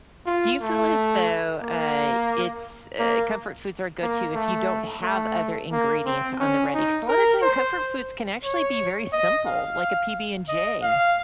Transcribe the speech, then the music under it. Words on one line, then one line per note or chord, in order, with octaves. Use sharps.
do you feel as though, uh, it's, uh, comfort foods are a go to if you don't have other ingredients on the ready? 'Cause a lot of time comfort foods can actually be very simple, like a PB and J.
F4
A3
A#3
A#3
A#3
A3
A3
A#3
C4
C#4
D#4
A#4
C5
C#5
D#5
F5
D#5
F5